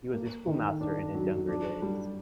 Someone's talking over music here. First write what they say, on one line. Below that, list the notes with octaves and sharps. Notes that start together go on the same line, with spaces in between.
He was a schoolmaster in his younger days.
A#3
D#3
D4
F#3
D4
G3